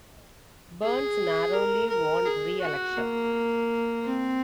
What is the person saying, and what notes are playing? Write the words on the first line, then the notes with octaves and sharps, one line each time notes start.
Burns narrowly won re-election.
G#4
A#4
A#4
G#4
F#4
A#3
C4